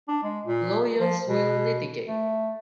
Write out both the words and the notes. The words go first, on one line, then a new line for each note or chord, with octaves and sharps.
Lawyers will litigate.
D4
G#3
A#2
F3
B2
A3